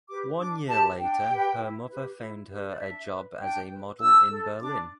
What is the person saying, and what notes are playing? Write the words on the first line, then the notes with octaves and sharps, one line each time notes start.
One year later her mother found her a job as a model in Berlin.
G4 B4 D6
D4 D6
G4 B4 A5
D4 G5
G4 B4
E4
G4 B4
E4
G4 B4
D5
D4 E5
B4
D4 G5
B4
D4 E6
A4
D4 D6